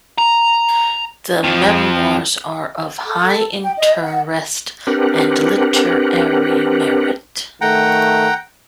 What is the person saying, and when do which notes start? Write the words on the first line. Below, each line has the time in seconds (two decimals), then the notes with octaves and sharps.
The "Memoirs" are of high interest and literary merit.
0.18 A#5
1.44 F2 F3
3.06 A4
3.62 G5
3.77 D#5
4.03 F#5
4.87 C4 D4 G4 A#4 B4 F#5
7.61 D#3 A3 F#5 G5 A#5